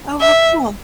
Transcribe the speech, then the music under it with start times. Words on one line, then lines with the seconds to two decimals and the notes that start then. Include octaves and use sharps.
Oh, how cool.
0.21 E5